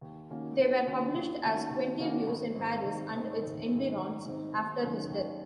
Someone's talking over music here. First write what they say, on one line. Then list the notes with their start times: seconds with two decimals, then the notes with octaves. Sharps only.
They were published as "Twenty Views in Paris and its Environs" after his death.
0.01 D#2
0.30 D#3 A#3 C#4 F#4
0.58 D#2
0.87 D#3 A#3 C#4 F#4
1.14 D#2
1.43 D#3 A#3 C#4 F#4
1.70 D#2
1.99 D#3 A#3 C#4 F#4
2.27 G#1
2.55 G#2 D#3 G#3 C4
2.84 G#1
3.12 G#2 D#3 G#3 C4
3.40 G#1
3.68 G#2 D#3 G#3 C4
3.97 G#1
4.25 G#2 D#3 G#3 C4
4.53 D#2
4.81 D#3 F#3 C#4
5.10 D#2